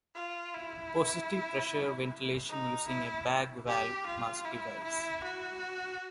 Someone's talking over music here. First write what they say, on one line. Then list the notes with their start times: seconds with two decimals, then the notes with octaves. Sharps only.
Positive-pressure ventilation using a bag valve mask device.
0.15 F4
0.54 E4
2.49 D#4
2.88 E4
3.67 G4
4.06 F4
4.45 E4
4.84 E4
5.24 F#4